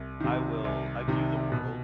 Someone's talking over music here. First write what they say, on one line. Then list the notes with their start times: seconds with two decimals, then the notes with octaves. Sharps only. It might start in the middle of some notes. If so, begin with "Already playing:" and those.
I will, I view the world
Already playing: C2
0.20 C3 D#3
0.64 C2
1.08 C3 D#3
1.52 B2